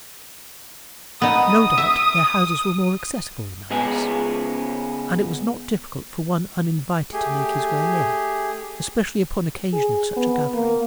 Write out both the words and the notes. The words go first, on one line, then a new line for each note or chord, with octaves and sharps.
No doubt their houses were more accessible than ours, and it was not difficult for one uninvited to make his way in, especially upon occasion of such a gathering.
B3 D#4 D#6
E5
C#2 G#3 B3 G#4
A3 G4 G#4
G#4
B3
A#3